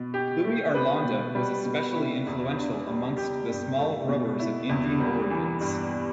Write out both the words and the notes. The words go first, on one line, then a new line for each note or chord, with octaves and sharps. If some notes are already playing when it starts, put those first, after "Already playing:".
Louis Arlanda was especially influential amongst the small growers of Indian origins.
Already playing: B2
G4
A3
B4
B2
G3
B2
E4
E2
D4
G3
G4
G2
A3
B2
E4
E2
G3
E3
G2